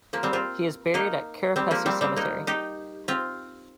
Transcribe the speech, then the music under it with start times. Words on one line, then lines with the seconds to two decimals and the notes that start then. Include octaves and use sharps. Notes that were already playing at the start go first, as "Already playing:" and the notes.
He is buried at Kerepesi Cemetery.
0.13 F3 A#3
0.23 G3 C4
0.33 C4 F4
0.94 A#3 D#4
1.56 G3 C4
1.71 F3 A#3
1.86 G3 C4
2.01 G3 C4
2.16 A#3 D#4
2.47 D#4 G4
3.08 C4 F4